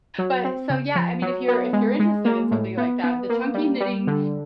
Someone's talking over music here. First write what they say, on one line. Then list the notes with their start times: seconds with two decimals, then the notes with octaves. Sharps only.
but so, yeah, I mean if you're if you're interested in something like that, the chunky knitting
0.18 F#3
0.44 C4
0.70 C#3
0.95 F3
1.22 F#3
1.48 B3
1.73 G#3
2.00 G#3
2.25 A#3
2.51 A2
2.77 B3
3.04 B3
3.29 A#3
3.54 G3
3.80 G3
4.07 D3